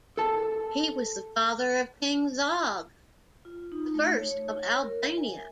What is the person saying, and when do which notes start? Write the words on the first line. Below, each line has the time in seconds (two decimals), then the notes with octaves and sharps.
He was the father of King Zog I of Albania.
0.17 A4 A5
3.45 F4
3.72 D#4
3.94 A3
4.17 C#5
4.31 C#5
4.83 A#4
5.02 E5
5.18 G#5